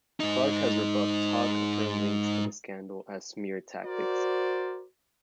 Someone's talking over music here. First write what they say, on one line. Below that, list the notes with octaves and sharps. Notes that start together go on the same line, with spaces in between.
Clark has rebuffed talk of her links to the scandal as "smear tactics".
G#2 D#4
F#4 A#4 C5 D5